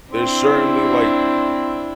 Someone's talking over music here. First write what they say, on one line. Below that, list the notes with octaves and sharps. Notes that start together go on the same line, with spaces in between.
there's certainly, like,
C4 D4 E4